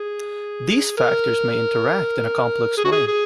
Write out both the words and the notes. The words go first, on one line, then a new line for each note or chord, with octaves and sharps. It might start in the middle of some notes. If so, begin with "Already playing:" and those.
These factors may interact in a complex way.
Already playing: G#4
A#4
G#4
F#4
G#4
G#4